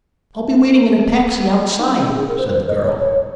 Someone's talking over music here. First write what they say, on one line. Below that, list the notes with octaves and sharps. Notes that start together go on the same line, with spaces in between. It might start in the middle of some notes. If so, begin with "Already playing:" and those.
"I'll be waiting in a taxi outside," said the girl.
G#4
D#4
C4
C#4
G#4
G#4
A#4
C5
C5
D#5
C#5
C#5